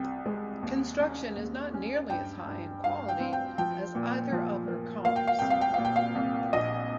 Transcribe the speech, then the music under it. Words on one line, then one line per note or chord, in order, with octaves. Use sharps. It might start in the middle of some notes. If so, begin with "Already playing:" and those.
Construction is not nearly as high in quality as either of her comps.
Already playing: C2 G5
G#3
D#2
C#4
D#2
C#4
G2 G5
G2
G2 F5
G5
C4
G5
F3 G5
A#2
F3
A#3
A#3 F5
G5
F5
C2 G5
F5
G5
A#2 F5
G5
F5
C2
A#1 D#5